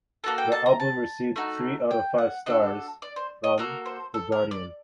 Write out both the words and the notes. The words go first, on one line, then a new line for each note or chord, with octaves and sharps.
The album received three out of five stars from "The Guardian".
A#3 F#4 A4 A5
G5
A5
A#5
A5
A3 D#4 F#4
G5
F#5
D4 F#4 A4 D#5
D5
C5
D#5
A#3 F#4 A4 A#4
C5
A4
A#4
D5